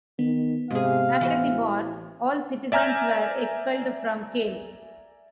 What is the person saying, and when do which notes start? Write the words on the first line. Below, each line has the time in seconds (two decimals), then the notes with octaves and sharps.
After the war, all citizens were expelled from Kehl.
0.19 D#3 B3
0.71 G#2 C3 G#4 F5
1.21 A1 E3 F#4 C5
2.72 D5 E5 G#5 A#5 F6 G6